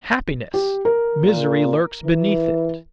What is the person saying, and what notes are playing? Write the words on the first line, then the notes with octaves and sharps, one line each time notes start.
Happiness!--misery lurks beneath it!
G4
A#4
A#2
E3